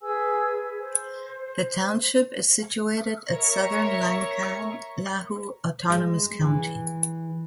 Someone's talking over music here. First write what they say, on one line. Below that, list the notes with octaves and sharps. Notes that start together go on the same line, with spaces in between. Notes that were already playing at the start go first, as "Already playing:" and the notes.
The township is situated at southern Lancang Lahu Autonomous County.
G#4 B4 G#5 E6
C5
A#4 C#5 E5 A#5 C#6
G#3
E3